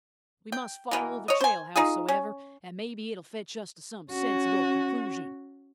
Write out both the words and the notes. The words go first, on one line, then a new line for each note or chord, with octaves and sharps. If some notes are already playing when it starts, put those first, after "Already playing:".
We must follow the trail, howsoever; and maybe it'll fetch us to some sensible concloosion.
G5
B2 E3 A#3
C#5 D#5
C5 G#5
D#4 F4 G#4
C#4
C#4 F#4